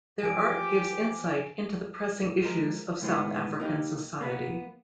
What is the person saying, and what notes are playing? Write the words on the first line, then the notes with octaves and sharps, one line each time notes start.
Their art gives insight into the pressing issues of South African society.
E3 F3 G4 A#4 G#5 D6 D7
F3 G#3 A#4
C#2 A2 D#3 G#3 B3
A#3 D#4 G4
A#3 B3 B4